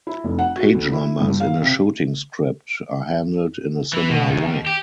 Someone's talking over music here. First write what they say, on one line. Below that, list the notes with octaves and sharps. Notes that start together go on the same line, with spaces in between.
Page numbers in a shooting script are handled in a similar way.
E4
F1
F#5
F#4
D2
E4
G2
F5
C3
E3
B2
D#2
G4